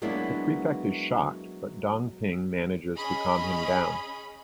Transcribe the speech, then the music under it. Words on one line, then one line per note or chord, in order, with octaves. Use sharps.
The prefect is shocked but Dong Ping manages to calm him down.
F#3 G#3 A#3 B3 D4 E4
C#4 G#4 D#5 B5